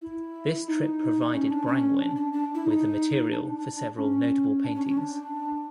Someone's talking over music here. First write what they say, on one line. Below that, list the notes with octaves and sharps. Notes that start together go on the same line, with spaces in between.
This trip provided Brangwyn with the material for several notable paintings.
E4
D#4
C#4
D4
C#4
D4
D4
D4
E4
D#4
D4
C#4
D4
C#4
C#4
D4